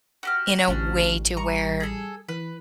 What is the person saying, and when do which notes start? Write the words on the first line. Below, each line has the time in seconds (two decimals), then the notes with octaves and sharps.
in a way to where
0.23 F#4 G4 F6
0.68 A1 D2 C#4 D4 E4
1.37 G3 A#5 C#6
1.80 G#4 A4
2.29 E3 B4